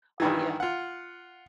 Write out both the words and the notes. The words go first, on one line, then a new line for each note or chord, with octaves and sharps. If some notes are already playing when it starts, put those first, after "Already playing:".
oh yeah!
G2 D#3 E3
F4 F#5